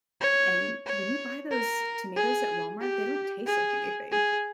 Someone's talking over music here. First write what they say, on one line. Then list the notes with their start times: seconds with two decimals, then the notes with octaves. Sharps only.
And when you buy those tomatoes at Walmart, they don't taste like anything.
0.21 C#5
0.86 C#5
1.51 A#4
2.16 G#4
2.81 G4
3.47 G#4
4.12 G#4